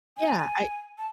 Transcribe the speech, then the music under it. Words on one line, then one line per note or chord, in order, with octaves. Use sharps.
Yeah, I
G#5
G#5
A5